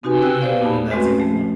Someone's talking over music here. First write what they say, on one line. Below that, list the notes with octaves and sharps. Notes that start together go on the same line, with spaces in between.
Mm. That's a good one.
C4 D#4 F#4 G4 B4 G#5
B4 G5 E6 F#6
G4 B4 C5 D5 F5
E2 A#2 D#4 A5 B5
G#3 A3 C4 C#4 F#4 B4
F3 A3